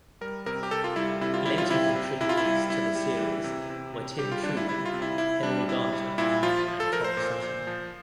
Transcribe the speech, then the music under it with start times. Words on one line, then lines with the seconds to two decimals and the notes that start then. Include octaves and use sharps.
Later contributors to the series were Tim Truman, Hilary Barta, and Tom Sutton.
0.21 G3 A#4
0.46 C3 A#4
0.63 G4
0.71 C3 A4
0.84 F4
0.96 G3 E4
1.21 C3 E4
1.34 F4
1.46 G3 E4
1.58 F4
1.70 C3 E4
1.96 C3
2.20 C3 E4
2.29 F4
2.37 E4
2.45 G3
2.70 G3 E4
2.95 G3
3.20 E3
3.44 C3
3.70 C3
3.94 C3
4.19 G3 G4
4.32 F4
4.43 G3 D4
4.57 E4
4.69 G3 E4
4.86 F4
4.94 C3
5.02 E4
5.18 C3 E4
5.43 G3 D4
5.68 C3 E4
5.93 G3
6.18 A#2 E4
6.43 F3 F4
6.68 F3
6.80 A4
6.93 F3 A#4
7.04 C5
7.17 A#2
7.42 A#2
7.67 F3